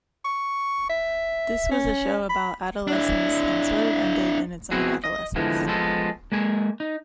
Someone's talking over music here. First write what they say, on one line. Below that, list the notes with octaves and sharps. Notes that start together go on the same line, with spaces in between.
This was a show about adolescence and sort of ended in its own adolescence.
C#6
E5
C#4
B5
D4 E4
B3 C4 E4 F#4 G#4
D#5
E2 D3 E3 F3 G#3 B3
F3 G#3 B3 A4
G#3 A#3 G#5
D#4